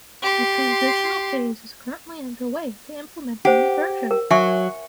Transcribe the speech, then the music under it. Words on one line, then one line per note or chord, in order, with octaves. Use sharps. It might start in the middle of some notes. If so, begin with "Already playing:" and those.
A transitional phase is currently underway to implement the new version.
G4 C6
G4 C5 F#5
A#4
F#3 E5 G#5 C#6